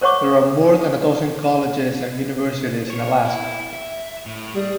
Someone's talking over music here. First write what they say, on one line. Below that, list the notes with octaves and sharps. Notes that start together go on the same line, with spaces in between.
There are more than a dozen colleges and universities in Alaska.
A#4 C5 C#5 F#5 C#6 D6
C5 C#5
E4
E5
A2
G3 G#4